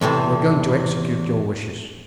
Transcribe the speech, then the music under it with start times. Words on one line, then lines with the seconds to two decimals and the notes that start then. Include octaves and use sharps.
"We are going to execute your wishes."
0.01 E2 A2 C3 E3